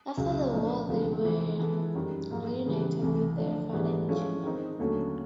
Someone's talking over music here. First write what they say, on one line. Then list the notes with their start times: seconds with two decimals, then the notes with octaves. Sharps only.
After the war they were reunited with their father in Germany.
0.17 C#2 C#3 F#3
0.52 A#2 F3 A#3 D4
0.89 D2 C3 F3 G#3
1.24 C3 E3 A3 C4 F4
1.59 E3 G#3 B3 E4 A4
1.95 F#2 D#3 G3
2.31 G#2 F3 A#3
2.66 C#3 E3 G3
3.02 C2 C3 E3 A3
3.37 D3 F3 A3 D4
3.73 G#2 E3 G3 B3 D4
4.08 F3 G#3 C#4 E4 A4
4.44 D#3 G#3 C4 D#4
4.79 D#2 D3 F#3 A3 C#4